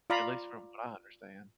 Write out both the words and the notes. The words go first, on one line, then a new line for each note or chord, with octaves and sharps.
at least from what I understand.
F4 D5 F5 A#5 B5